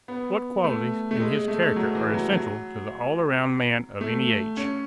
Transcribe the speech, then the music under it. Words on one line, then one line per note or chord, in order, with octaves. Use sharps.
What qualities in his character are essential to the all-around man of any age?
B3
A3
A3
G#3
G#3
A3
A3
F#3
E3
F#3
F#3
A3
C#4